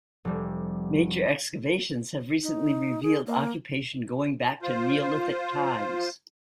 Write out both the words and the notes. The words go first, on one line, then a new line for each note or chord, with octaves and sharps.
Major excavations have recently revealed occupation going back to Neolithic times.
F1 G3
D#4
G#4
A#3
F4 C5